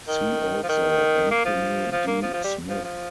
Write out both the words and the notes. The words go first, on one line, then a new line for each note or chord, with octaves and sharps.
See also Anthony D Smith.
D#3
F3
D#3
A#3
F3
F3
A#3
F3
F3
G3
F3
F3